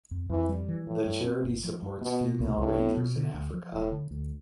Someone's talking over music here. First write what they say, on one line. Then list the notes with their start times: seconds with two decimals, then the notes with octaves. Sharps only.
The charity supports female rangers in Africa.
0.11 F2
0.30 F2 E3
0.49 G3
0.68 E3
0.87 A2 F3
1.06 G2
1.25 C4
1.44 G1
1.64 F3
1.83 G2
2.01 B2 B3
2.21 B2
2.40 C2
2.58 C2 A2
2.78 B3
2.97 B2
3.16 D3
3.34 D2
3.54 F3
3.73 E1 A2
3.91 D3
4.11 D2